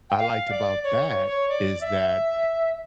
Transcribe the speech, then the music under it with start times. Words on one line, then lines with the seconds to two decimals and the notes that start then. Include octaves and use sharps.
I liked about that, is that,
0.10 G5
0.18 F5
0.50 D5
0.84 C#5
1.05 C#5
1.26 C#5
1.49 D5
1.81 E5